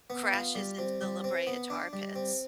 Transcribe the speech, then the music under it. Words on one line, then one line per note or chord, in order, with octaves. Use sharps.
crashes into the La Brea Tar Pits.
B3
F4
G3
C4
G3
C4
B3
D4
G3
C4